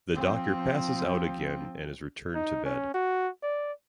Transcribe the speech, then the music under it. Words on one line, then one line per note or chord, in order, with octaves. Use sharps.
The Doctor passes out again and is returned to bed.
F3 C4
D#4
C#4
F#4
D5